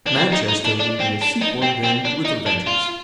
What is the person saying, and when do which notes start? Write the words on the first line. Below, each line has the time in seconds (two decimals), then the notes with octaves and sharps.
Manchester would be a seaport then with a vengeance!
0.07 D4
0.17 C4
0.32 D#4
0.49 D#4
0.65 D4
0.80 D4
1.00 C4
1.21 D4
1.41 D#4
1.62 C4
1.83 C4
2.05 D4
2.25 D#4
2.46 D4
2.67 F4